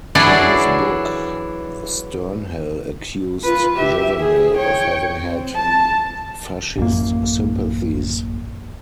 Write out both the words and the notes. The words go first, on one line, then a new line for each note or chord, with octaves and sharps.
In his book, Sternhell accused Jouvenel of having had Fascist sympathies.
E3 F#3 D4 E4 G#4 D5
F4 B4
G4 E5
G#4
C#5 G5
C4
A5
A1 F#2 A#3